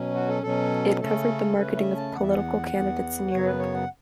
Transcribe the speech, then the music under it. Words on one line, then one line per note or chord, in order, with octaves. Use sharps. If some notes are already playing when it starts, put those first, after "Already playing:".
It covered the marketing of political candidates in Europe.
Already playing: B2 F#3 C#4
F#4
A4
B2 F#3 C#4 A4
C#3 A3 C#4 A4
C#3 A3 C#4 B4
E5
A5
E2 E3 B3 F#5
E5
F#5
E2 E3 B3
F#2 C#3 F#3 B3 C#5
B4
C#5
F#5